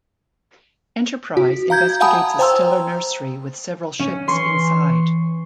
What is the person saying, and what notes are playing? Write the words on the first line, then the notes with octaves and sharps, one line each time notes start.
"Enterprise" investigates a stellar nursery with several ships inside.
F#4
F5 A#5 G6 G#6
F5 F#5 G#5 A5 B5 D#6
C5 G5 A#5 C6 E6
C#4
E3 C6 C#6 C7